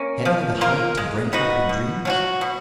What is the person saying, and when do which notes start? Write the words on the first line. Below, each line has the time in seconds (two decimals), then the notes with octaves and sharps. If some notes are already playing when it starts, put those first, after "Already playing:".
Had I the heart to break up her dreams?
Already playing: A#3 C#4
0.25 F3
0.61 A#3 F4 A#4
0.97 G#3
1.33 B3 D#4 F#4
1.69 B2
2.05 F#3 C#4 F#4
2.41 B2